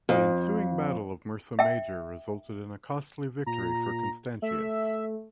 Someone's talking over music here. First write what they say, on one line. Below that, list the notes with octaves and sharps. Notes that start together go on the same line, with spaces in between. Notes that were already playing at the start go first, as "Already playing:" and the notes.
The ensuing Battle of Mursa Major resulted in a costly victory for Constantius.
F2
E5 G5
A#2 A#5
A3 E5